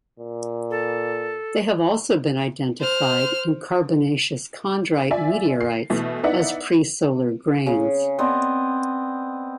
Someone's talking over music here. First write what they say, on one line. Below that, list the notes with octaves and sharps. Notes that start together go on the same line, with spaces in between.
They have also been identified in carbonaceous chondrite meteorites as presolar grains.
A#2
A4
C5 F6
F4 D5 E5 G#5
C7
B2 E3 A3
B3 D#4 E4 D5 E5 F#5
C#3
B3 C4 D5 D#5